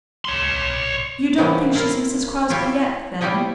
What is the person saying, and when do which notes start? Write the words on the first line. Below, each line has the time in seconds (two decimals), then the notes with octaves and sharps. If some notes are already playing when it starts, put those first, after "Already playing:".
"You don't think she's Mrs. Crosbie yet, then?"
0.25 C#5 C6
1.38 C3 E3 G3 A#3 B3 C#4
1.75 E4 F4 A#4
2.50 E4 F4 G4 C#5
3.21 G3 E4 F4 G4 C#5 D#5